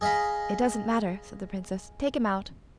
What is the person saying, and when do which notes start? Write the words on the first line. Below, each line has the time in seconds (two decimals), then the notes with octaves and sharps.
'It doesn't matter!' said the Princess. 'Take him out!'
0.01 G#4 D#5 F5 B5